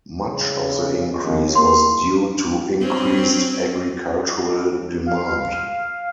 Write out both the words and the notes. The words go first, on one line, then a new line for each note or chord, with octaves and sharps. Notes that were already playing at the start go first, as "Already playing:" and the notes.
Much of the increase was due to increased agricultural demand.
C#3
D#2
A#3 C6
F#3 C4 C#4
F5